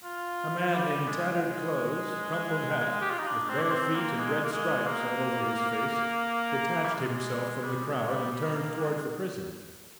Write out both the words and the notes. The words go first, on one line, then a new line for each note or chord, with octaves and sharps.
A man in tattered clothes, crumpled hat, with bare feet and red stripes all over his face, detached himself from the crowd, and turned towards the prison.
F4
G3
G#3
G#3
G4
F4
D#4
D4
C4
D4
C4
A#3
G#3
A#3
G#3
A#3
G3
G#3
G3
G#3
G3
G3
A#3
G#3